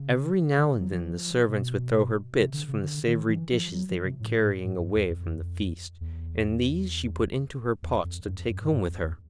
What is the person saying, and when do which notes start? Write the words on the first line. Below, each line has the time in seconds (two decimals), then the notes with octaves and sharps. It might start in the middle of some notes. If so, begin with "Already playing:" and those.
Every now and then the Servants would throw her bits from the savoury dishes they were carrying away from the feast, and these she put into her pots to take home with her.
Already playing: C#3
0.58 D3
0.80 F#3
0.92 F3
1.49 B2
2.39 C3
2.53 D3
2.68 C#3
2.83 D3
3.07 D#3
3.29 E3
3.52 F3
3.74 F#3
3.89 F3
4.04 C3
4.20 A2
4.64 G#2
4.80 F#2
4.95 E2
5.10 F2
6.01 E2
7.82 E2
8.04 F2
8.27 F#2
8.38 F2
8.49 F#2
8.61 G#2
8.72 G2
8.88 F2
9.03 E2